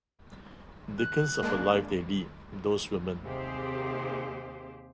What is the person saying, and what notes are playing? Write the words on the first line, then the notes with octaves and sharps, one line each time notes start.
Dickens of a life they lead, those women.
F#6
G#3 A#3 D4
D#2 C3 C4 G4 G#4 C5